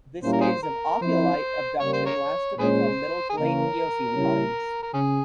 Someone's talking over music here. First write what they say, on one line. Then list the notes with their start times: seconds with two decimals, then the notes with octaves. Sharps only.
This phase of ophiolite obduction lasted until Middle to Late Eocene times.
0.23 A#2 G3 A#3 C#4 E4 C5
0.32 A#4
0.41 G#4 C5
0.63 A#4
1.01 F3 C4 E4 C5
1.80 C#3 G3 A#3 C#5
1.93 C5
2.06 A#4 C#5
2.59 A#2 G#3 C#4 G#4 C5
3.29 G#4
3.37 C#3 E3 A#3 C#4 A#4
4.15 C#3 G3 C#4 E4
4.83 A#4
4.94 C#3 C#4 G#4